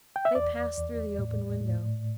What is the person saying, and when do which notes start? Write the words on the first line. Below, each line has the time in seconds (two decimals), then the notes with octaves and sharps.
They passed through the open window.
0.16 G5
0.25 E5
0.35 E2 D5
0.78 E2
1.19 A2
1.61 A2